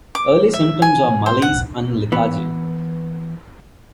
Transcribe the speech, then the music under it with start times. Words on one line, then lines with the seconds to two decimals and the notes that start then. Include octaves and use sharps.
Early symptoms are malaise and lethargy.
0.15 D6
0.54 E5
0.82 G#5
1.26 C5
1.42 F#5
2.12 E3 B3